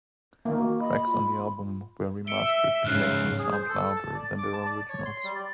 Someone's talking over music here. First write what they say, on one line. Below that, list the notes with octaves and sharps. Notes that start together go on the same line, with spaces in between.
Tracks on the album were remastered to make them sound louder than their originals.
D#3 A#3
F#4
D#5 B5
F4
E5 C#7 D7 G7
G#2 C#3 F3 F6 F#6 C7
G#4
C5
A4
A5
D5
D6
A5
D5
C#5
C6
G3
D5